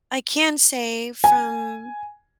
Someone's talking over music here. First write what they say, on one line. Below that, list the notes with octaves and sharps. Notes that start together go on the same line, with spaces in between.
I can say from
G#5